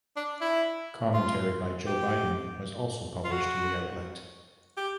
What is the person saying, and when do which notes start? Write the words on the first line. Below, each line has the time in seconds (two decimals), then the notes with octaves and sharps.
Commentary by Joe Biden was also published in the outlet.
0.16 D4
0.41 E4
1.14 F4
1.87 G4
3.24 F4
3.31 F#4
4.77 G4